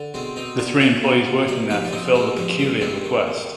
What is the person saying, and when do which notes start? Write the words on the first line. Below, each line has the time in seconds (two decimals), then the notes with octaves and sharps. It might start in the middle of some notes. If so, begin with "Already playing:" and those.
The three employees working there fulfill the peculiar request.
Already playing: D3
0.14 B2 G#3 C4
0.36 B2 C4 D#4
0.59 B2 D4 F4
0.81 B2 D4 F4
1.03 B2
1.26 B2
1.48 G2 D#4 G4
1.70 F3 G4 B4
1.84 D4
1.92 F3 C4 D#4
2.14 G2 G#3 C4
2.37 G2 F3 G#3
2.59 F3 G3
2.81 G2 G#3 C4
3.04 D#3
3.27 D#3